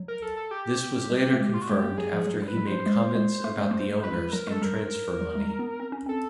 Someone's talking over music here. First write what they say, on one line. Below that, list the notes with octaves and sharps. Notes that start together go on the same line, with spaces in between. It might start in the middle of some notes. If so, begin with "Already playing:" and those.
This was later confirmed after he made comments about the owners and transfer money.
Already playing: F#3
A#4
A4
A4
G4
G3
A3
G#3
F4
F#4
G#3 G4
A#3
F#3 G#4
F3
F#3
G3
B4
F#3
C5
F#3
G#3
G#3
A3
G#3
A3
G#3 B4
F#3 A#4
G#3
A4
G3 A#4
F#3
G#3
G3
B3
C4
C#4
C4 A4